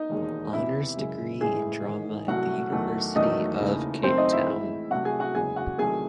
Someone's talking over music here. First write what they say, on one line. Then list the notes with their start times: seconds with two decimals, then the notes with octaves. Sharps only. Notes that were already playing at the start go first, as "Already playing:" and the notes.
Honours degree in Drama at the University of Cape Town.
Already playing: D#4 D#5
0.09 E1 D#2 D#3 G#3
0.53 E2 C3 E3 E4 E5
0.97 F#2 C#3 G#3
1.40 A1 A2 E3 G#3 G#4 G#5
1.84 A1 G#2 D#3
2.28 C2 C3 F#3 A3 F#4 F#5
2.72 E2 D#3 F#3 A3
3.16 E1 E2 D#3 F#3 A3 D#4 D#5
3.59 E1 D#2 C#3 E3 A3
4.03 F#2 D#3 A3 C4 C5
4.18 D#4 D#5
4.33 E4 E5
4.47 A1 A2 G#3
4.90 C2 C3 F#3 A3 F#4 F#5
5.05 G#4 G#5
5.20 F#4 F#5
5.35 F#1 E2 C#3 G#3 G#4 G#5
5.56 F#4 F#5
5.78 C2 C3 D#3 F#3 A3 G#4 G#5